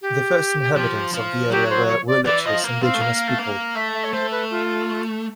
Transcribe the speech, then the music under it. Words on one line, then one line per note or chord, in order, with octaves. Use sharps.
The first inhabitants of the area were Huilliches indigenous people.
G4
F3
F3
F#3 G4
C5
C#5
D5
E3 D5
F3 D#5
A#3
C4 F5
A3
A#3
A3
A#3
A3 E5
E5
C#5
A3 C5
B4
F4